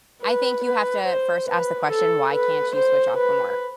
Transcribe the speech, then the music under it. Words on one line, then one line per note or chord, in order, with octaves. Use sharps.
I think you have to first ask the question, "Why can't you switch off from work?"
B4
B4
C5
B4
A4
B4
C5
B4